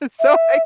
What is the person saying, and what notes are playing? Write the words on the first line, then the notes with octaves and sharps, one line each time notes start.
so I
E5